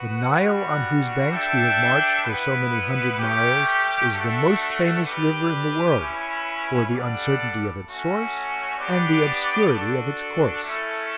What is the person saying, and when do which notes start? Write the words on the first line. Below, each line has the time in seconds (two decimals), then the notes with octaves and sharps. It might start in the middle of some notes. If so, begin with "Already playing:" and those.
The Nile, on whose banks we have marched for so many hundred miles, is the most famous river in the world, for the uncertainty of its source and the obscurity of its course.
Already playing: B3 F#4 B4 F#5
0.37 G3 D4 F#4 B4
1.31 D4 A4 E5 G5
2.25 B3 E4 B4
3.18 A3 C#4 G4
4.12 A3 D4 F#4 A4
5.04 G3 D4 G4 B4
5.98 C#4 E4 B4
6.91 G3 D4 A4 D5 F#5
7.84 A3 C#4 F#4
8.78 B3 D4 G4 D5
9.70 D4 F#4 A4
10.64 A3 C#4 E4 A4